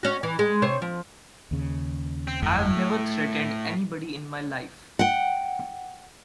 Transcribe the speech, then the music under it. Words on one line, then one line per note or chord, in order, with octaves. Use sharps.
I've never threatened anybody in my life.
C#4 F#4
E3
G#3
C3 C5 C#5
F3
D#2 C#3
C4
G1 F2 A2 A3
A3
F#5 G5